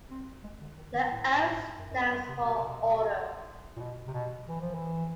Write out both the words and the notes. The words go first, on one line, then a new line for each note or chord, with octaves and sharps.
The "O" stands for order.
C4
G#3
D3
D#3
D#3
A2
A2
G#2
A2
G#2
F#2
F#2
F2
F#2
C3
B2
C3
B2
A#2
B2
C3
B2
E3
F3
E3